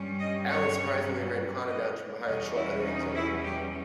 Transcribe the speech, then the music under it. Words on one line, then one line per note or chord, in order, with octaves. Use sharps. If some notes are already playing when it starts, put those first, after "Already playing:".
Allen surprisingly ran Conner down from behind short of the end zone.
Already playing: G2 G3 C#4
D#5
C#5
D#5
E2 B2 G3 C#4 D#5
E4
D#4
E4
G4